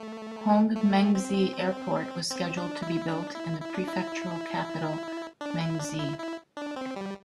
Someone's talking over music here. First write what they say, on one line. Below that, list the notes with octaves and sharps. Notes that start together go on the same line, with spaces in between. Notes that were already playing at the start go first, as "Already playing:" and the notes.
Honghe Mengzi Airport was scheduled to be built in the prefectural capital Mengzi.
Already playing: A3
A3
C4
C4
D4
E4
D4
E4
E4
D4
E4
D4
E4
D4
E4
E4
D4
C4
G3